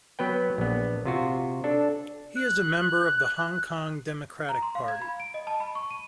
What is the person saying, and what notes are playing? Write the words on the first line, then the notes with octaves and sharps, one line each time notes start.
He is a member of the Hong Kong Democratic Party.
F#3 B3 B4 G5
A#1 B3
C3 F4 F#4
D4 A4
F#6
A#5
C6
F5
G#6
B5
D7
D#5
A5
B5
C#6
D#7